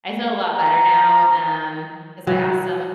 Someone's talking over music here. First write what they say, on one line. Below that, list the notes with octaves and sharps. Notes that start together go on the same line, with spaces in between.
I feel a lot better now, um, 'cause I have some
A#5
F#3